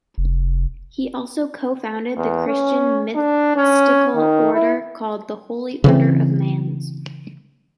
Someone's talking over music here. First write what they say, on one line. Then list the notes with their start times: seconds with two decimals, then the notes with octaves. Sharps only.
He also co-founded the Christian mystical order called the The Holy Order of Mans.
0.18 F1
2.17 E2
2.47 C#4
3.15 D4
3.56 C#4
4.16 D#3
4.54 E4
5.84 C#3 E3 C4